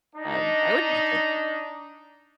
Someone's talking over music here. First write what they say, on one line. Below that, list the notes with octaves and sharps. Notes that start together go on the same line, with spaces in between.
Um, I wouldn't, like,
D4 D#4